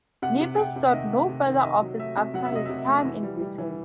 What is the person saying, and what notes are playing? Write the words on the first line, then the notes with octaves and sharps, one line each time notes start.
Nepos sought no further office after his time in Britain.
C3 F#5
C3
C3 G5
C3
E5
D#3 D#5
A3
C3
D#3
E5
C3 D#5
F#3
A3 E5
C3
F#3 F#5
E5
C3 D#5
C3 E5
A3
E3
G3
G3
E3